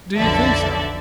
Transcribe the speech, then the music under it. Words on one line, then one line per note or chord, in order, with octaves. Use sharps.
"Do you think so?"
B1 F2 D3 A4 D5 E5